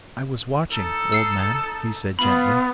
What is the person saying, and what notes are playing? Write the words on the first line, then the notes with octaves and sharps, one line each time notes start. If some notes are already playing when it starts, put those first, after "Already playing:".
"I was watching, old man," he said gently.
D#4 A4
E6 C7 C#7
B3 F4 B5